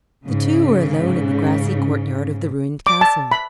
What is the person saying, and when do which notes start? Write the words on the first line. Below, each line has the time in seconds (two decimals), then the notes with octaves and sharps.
The two were alone in the grassy courtyard of the ruined castle.
0.24 G#2 C#3
2.87 D6
3.01 A5
3.32 B5